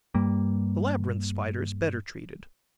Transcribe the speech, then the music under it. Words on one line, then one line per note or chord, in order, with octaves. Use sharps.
The Labyrinth Spider is better treated.
G2 G3 A#3